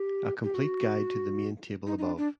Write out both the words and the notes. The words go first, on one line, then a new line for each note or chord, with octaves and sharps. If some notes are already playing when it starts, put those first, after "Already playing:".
A complete guide to the main table above.
Already playing: G4
G4
F#4
D#4
D#4
D4
D4